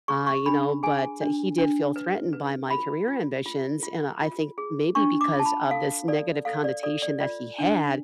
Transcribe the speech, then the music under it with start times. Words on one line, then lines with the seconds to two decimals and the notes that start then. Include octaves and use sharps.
uh, you know, but, uh, he did feel threatened by my career ambitions, and I think maybe because of this negative connotation that he had,
0.08 G#4 C#6
0.27 C#6
0.46 D4 B5
0.83 G#4 G#5
1.21 D4
1.58 D4
1.96 B4
2.33 B4
2.70 F4 B5
3.08 F4
3.46 F4
3.83 F4
4.21 F4
4.58 G#4
4.95 D4 C#6
5.21 D6
5.33 F4
5.39 A5
5.46 B5
5.71 A4 F5
6.08 A4 D5
6.45 A4 F5
6.64 D5
6.83 A4 D5
7.02 D5
7.20 F4 D5
7.58 D4